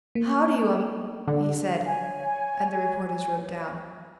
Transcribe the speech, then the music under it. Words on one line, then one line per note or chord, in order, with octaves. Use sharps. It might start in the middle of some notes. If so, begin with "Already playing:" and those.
'How do you--um!' he said, and the reporters wrote down.
A#3
D3
C#5 G#5